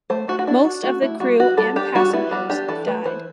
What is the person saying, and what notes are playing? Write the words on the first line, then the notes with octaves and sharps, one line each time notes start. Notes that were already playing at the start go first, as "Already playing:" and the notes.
Most of the crew and passengers died.
A3 C5
A3 F#4
F#4
D4 E4
D4 F#4
A3 F#4
A3 E4
G3 F#4
B3 F#4
G3 A4
D4 G4
G3 F#4
B3 E4
G3 F#4
D4 G4
E3 A4
A3 B4
E3 C5